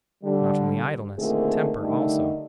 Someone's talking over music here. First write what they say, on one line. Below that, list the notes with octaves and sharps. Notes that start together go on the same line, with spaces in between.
Not only idleness, temper also.
D3 G3
A#2 D3 D#3 A3 C4 G#4
D3 D#3 G3 A3 D#4